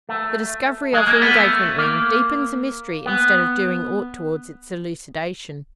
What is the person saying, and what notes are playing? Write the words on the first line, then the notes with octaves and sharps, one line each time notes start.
The discovery of the engagement ring deepens the mystery instead of doing aught towards its elucidation.
A3
G#3
A#3
B3
A3
A#3
B3